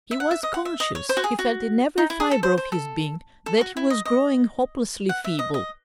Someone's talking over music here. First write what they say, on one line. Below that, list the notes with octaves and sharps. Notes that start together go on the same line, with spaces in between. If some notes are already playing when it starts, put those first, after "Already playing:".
He was conscious, he felt in every fibre of his being that he was growing hopelessly feeble.
E5
F#5
E5
D#5
F#5
E5
D#5
C#5
C5
F#4
G#4
F#4
D#4
E4
G#4
A4
C5
C5
A4
A4
F#4
E4
D#5
D#5
F#5
E5
D#5
D#5